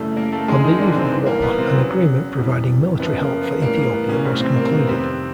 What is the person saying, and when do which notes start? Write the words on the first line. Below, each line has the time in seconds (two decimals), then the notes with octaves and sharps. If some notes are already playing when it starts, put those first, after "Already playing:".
On the eve of war, an agreement providing military help for Ethiopia was concluded.
Already playing: F#2 C#3 E3 G3 A3 A4
0.16 A#3 A#4
0.32 A3 A4
0.48 F#2 D3 F3 G#3 G#4
0.64 D#3 D#4
0.79 D3 D4
0.95 C3 C4
1.11 G2 E3 G3 B3
1.26 A#3
1.42 B3
1.58 C3 C4
1.74 E2 C#3 F#3 B3
2.37 F2 C3 E3 G3
2.99 F#2 C#3 F3 B3
3.20 A#3
3.41 B3
3.62 A2 E3 G3 A#3
3.77 B3
3.93 B3
4.09 C#3 C#4
4.24 A2 C3 E3 G3 C4
4.40 C3 C4
4.56 A#3
4.66 C4
4.72 B3
4.87 F2 C3 D#3 G3 C4